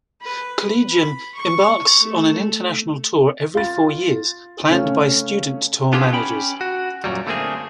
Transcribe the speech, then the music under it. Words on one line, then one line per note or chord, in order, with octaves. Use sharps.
Collegium embarks on an international tour every four years, planned by student tour managers.
B4
B5
C#6
A3
F4 A6
C#3 A3 C#4
B3 D4 F4 G4 G#4
C#4 G5 B5
F#4
F#2 A#2 F#3 G3
D3 A3 A#3 C4 G#4